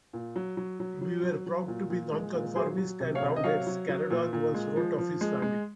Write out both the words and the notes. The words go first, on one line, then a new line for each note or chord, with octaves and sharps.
"We were proud to be nonconformists and Roundheads", Caradon once wrote of his family.
A#2
F#3
F#3
F#3
F#3
F#3
F#3
A#2
A#2
G#3
A#2
F#3 G#4 C5
F#3
C3
C#5 F5
C3
D#5
F#3 C#5 F5
F#3
F#3
A#2
A#2
G#3
F3
F3
G#3
G#3